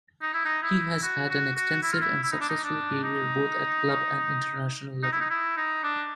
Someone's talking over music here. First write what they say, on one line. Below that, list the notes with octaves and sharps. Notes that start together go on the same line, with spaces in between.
He has had an extensive and successful career both at club and international level.
D#4
E4
D#4
E4
F#4
F#4
F#4
E4
F4
E4
E4
D#4
D4
D#4
D4
D#4
D#4
E4
D#4
E4
D#4
D4